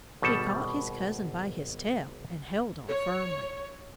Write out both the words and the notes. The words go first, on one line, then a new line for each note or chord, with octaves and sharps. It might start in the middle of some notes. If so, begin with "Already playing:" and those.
He caught his cousin by his tail and held on firmly.
G#1 B2 G3 A4 A5
C#5